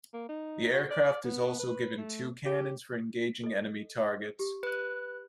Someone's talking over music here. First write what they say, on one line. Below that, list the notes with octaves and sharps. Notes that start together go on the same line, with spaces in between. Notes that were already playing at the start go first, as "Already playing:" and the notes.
The aircraft is also given two cannons for engaging enemy targets.
A#3
D#4
F#4
D5
B3
B4
A3
G4
A4 D#5
G4
B4 F#6